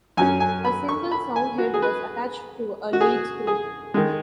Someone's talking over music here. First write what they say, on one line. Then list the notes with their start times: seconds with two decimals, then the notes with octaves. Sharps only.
A single soundhead was attached to a lead screw.
0.17 F#2 F#3 C#4 G#5
0.40 G#5
0.65 B5
0.89 C#6
1.12 B5
1.36 G#5
1.58 F#4
1.74 G#4
1.82 B4
2.93 F#4
3.01 G#4
3.47 G#4
3.94 D#3 G#3